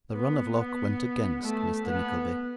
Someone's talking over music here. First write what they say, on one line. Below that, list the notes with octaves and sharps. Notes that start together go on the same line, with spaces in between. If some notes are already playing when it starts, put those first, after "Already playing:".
The run of luck went against Mr Nickleby.
B3
B3
A3
B3